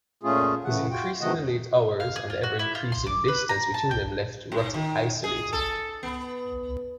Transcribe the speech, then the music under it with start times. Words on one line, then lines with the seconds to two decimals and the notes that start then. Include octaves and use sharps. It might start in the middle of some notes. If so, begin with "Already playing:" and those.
His increasingly late hours and the ever-increasing distance between them left Ruttie isolated.
0.23 A#2 A3 C#4 F4 G#4
0.64 C#3 E3 A3 F#5
0.90 F4 F#4 G5
1.21 C3 D#3 E3 A3 D#5 F#5
2.00 F5
2.16 G#4
2.30 F4
2.43 F#4
2.59 E4
2.75 F4
2.92 C6
3.06 D6
3.28 B4
3.49 A#5
3.74 A5
3.91 G5
4.52 G#2
4.74 D#3
5.24 G#4
5.53 A4
6.03 B3